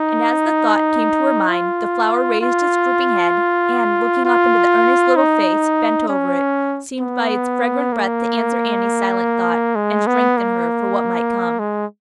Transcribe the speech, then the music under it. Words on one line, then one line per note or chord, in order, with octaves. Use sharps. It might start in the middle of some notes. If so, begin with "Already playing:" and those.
And as the thought came to her mind, the flower raised its drooping head, and, looking up into the earnest little face bent over it, seemed by its fragrant breath to answer Annie's silent thought, and strengthen her for what might come.
Already playing: D#4
F4
F4
F4
D#4
C#4
B3
A#3
G#3
B3
A#3
G#3